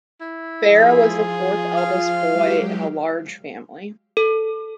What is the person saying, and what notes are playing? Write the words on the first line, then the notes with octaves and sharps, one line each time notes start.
Farah was the fourth eldest boy in a large family.
E4
F3 F4 G#4
F5
F#3 G#3 G4
A4